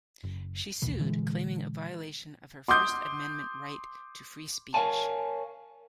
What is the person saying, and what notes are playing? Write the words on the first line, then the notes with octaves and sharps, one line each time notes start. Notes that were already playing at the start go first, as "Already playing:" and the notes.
She sued, claiming a violation of her First Amendment right to free speech.
F#1
A#1 D#2 B2 E3
A#2 D3 E3 G#3
C6 D6 D#6 G6
A#4 C#5 F5 G#5 A5